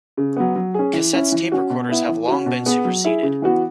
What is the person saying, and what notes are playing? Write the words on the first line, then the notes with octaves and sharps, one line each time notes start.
Cassettes tape recorders have long been superseded.
C#3
F#3 B3
F#3
C#4 G#4
E3
C#4 E4
E3
C#4 F#4
B2
B3 E4
E3
C#4 F#4
B2
B3 G#4
F#3
E4 G#4
C#3
E3 B3 F#4